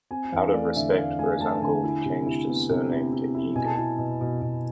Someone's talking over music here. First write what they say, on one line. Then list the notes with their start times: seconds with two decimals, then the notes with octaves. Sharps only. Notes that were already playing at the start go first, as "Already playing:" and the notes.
Out of respect for his uncle he changed his surname to Eger.
0.11 C4 G#5
0.32 E2 F5
0.54 A3 D5
0.76 D3 E5
0.97 A3 F5
1.19 A3 G#5
1.40 A3 A5
1.62 D3 G#5
1.84 E4
2.05 C3
2.26 E4
2.48 B3
2.70 C3
2.92 E4
3.12 E4
3.34 E4
3.55 B2 G#5
3.65 A5
3.75 E4 G#5
3.98 B2
4.21 B2
4.42 B2